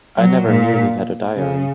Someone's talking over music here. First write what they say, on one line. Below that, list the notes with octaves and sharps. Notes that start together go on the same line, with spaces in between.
I never knew he had a diary.
F#3
A#2
C#3